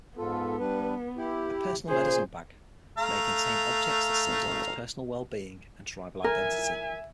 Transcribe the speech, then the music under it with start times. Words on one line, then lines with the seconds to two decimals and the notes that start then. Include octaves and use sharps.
A personal medicine bag may contain objects that symbolize personal well-being and tribal identity.
0.18 G#2 B3 F4 A4
0.59 G3 D4 B4
1.17 E4 G4
1.88 A#2 C#3 G#4 C5
2.98 A3 F5 A#5
6.24 A#4 E5 G#5